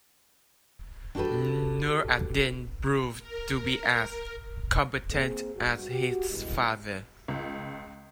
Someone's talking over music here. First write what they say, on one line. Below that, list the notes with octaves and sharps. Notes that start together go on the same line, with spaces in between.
Nur ad-Din proved to be as competent as his father.
D4 F#4 G4 A4 B4
A#4
A#3 C4 G#4
G2 F#4
F#4 G4
B2 D3 G3 G#3 E4 F#4
C#2